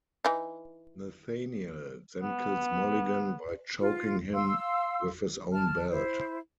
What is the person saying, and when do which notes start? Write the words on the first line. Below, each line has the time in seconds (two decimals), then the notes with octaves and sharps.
Nathaniel then kills Mulligan by choking him with his own belt.
0.25 E3 D#4
2.21 B3
3.80 F4
4.34 F5 C6 E6
5.52 A5 F6
5.90 E4 C5